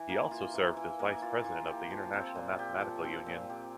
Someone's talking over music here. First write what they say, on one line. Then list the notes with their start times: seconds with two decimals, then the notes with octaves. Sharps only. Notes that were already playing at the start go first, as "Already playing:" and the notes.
He also served as Vice-President of the International Mathematical Union.
Already playing: E3
0.09 A#3
0.31 F4
0.54 E3
0.77 E3
0.99 A#3
1.22 F4
1.44 E3
1.67 G4
1.90 F3
2.13 C4
2.35 A#2
2.59 G4
2.81 F3
3.04 C4
3.26 A#2
3.50 G4